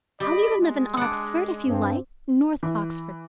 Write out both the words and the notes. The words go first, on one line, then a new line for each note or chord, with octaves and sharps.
I'll even live in Oxford if you like--North Oxford.
G3 D5 D#5 B5
G#3
D4 F#5
G2 C4
E3